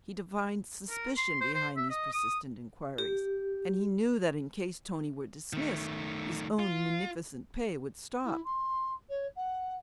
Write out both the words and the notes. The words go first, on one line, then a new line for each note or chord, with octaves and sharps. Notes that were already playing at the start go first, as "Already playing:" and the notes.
He divined suspicion behind these persistent inquiries, and he knew that in case Tony were dismissed, his own munificent pay would stop.
A#4
C6
C5
C5
E5
D#5
D#6
G4
D#3 A3
F4
E4
C6
C#5
F#5